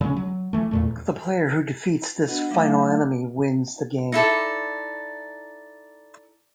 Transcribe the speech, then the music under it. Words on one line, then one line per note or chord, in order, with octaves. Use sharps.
The player who defeats this final enemy wins the game.
C#3 G#3 A3 C#4
F#3
E3 A3
E2 A#2 A3
B3 D4 F#4 B4 D#5 F#5
F#3 A3 D#4 E5 F5 D6
D#4 E4 A4 D5